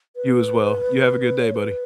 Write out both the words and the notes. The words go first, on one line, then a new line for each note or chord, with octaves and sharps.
You as well. You have a good day, buddy.
B4
C#5
B4